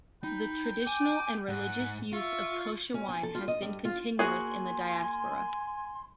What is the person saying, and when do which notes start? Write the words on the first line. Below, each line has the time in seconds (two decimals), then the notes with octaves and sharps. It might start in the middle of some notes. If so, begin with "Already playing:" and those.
The traditional and religious use of Kosher wine has been continuous in the diaspora.
0.24 D#4 G5 B5
0.87 G#5 D6
1.49 G#2 F#5
2.13 F4 E5 C#6
2.94 C#4
3.09 G#5
3.23 A4
3.35 F4
3.48 D#5
3.62 G2
3.85 F4
4.19 A#3 F#4 G#4 G#5 C6